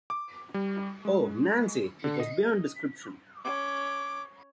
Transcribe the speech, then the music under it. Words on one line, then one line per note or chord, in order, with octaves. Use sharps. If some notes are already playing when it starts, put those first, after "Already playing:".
Oh, Nancy, it was beyond description.
D6
G3
G#3
D3
D#5
C#4 D6